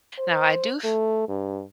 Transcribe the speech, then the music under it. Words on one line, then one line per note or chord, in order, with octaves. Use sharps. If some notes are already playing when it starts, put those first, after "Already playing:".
Now I do f
C5
A3
G2